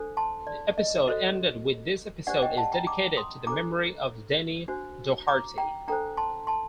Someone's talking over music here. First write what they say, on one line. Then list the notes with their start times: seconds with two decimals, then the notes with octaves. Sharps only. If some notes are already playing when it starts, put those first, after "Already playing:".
The episode ended with This episode is dedicated to the memory of Denny Doherty.
Already playing: D4 A4 C5
0.17 A5 C6
0.47 D5
0.78 D#5
1.07 F#4 A4 C5 D#5
2.27 D4 G4 C5 D5 F#5
2.42 D#5 G5
2.57 F#5 A5
2.72 G5 A#5
2.87 A#5 D6
3.17 C6 D#6
3.47 D4 A4 C5 A#5 D6
4.68 D4 F#4 C5
5.27 A#5 D6
5.58 G5 A#5
5.88 D4 A4 C5 G5 A#5
6.17 A5 C6
6.47 A5 C6